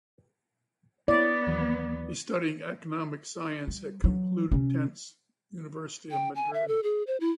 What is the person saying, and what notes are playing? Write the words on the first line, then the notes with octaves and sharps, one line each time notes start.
He studied Economic Science at Complutense University of Madrid.
B3 E4 C#5 D5
D#2 E3 F#3
G3
E3 F#3
C3 C#4
G5
G#5
E5
A4
G#4
C5
E4